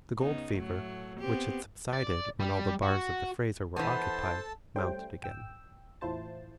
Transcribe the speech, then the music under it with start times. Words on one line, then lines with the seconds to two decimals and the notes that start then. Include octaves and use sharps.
The gold-fever, which had subsided when all the bars of the Fraser were occupied, mounted again.
0.20 C#3 B3 D#4
0.55 A2 F#3 A3
1.20 B3 C4 G4
1.93 D5
2.40 G3
2.83 F#4
3.76 E3 B3 A4 C5 A5
4.76 G3 A3 C#4 C5 G5
5.23 G#1 G5 E6
6.01 E2 A2 E4 F4 C5 A5